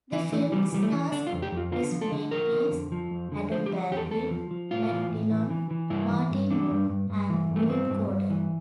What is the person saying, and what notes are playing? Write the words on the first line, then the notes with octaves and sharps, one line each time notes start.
The film stars Chris Makepeace, Adam Baldwin, Matt Dillon, Martin Mull, and Ruth Gordon.
E3 E4
E3 A3
E3 G3
E3 G3
A3
E3
D3 D4
F4
F2
G4
F2 F4
D3 F4
F3
A4
D3
F3 A#4
D3
F2
F3
F2
D3
F3 C5
G4
F3
E2 G4
A4
E2 A4
F3
F3
A2 F4
E3
A2
E3
E3
E3
G2 E4
E3
G2
E3 D4
G2
G2
G2
E3
G2
A3
A#3
G2 C4
G2
G2
E3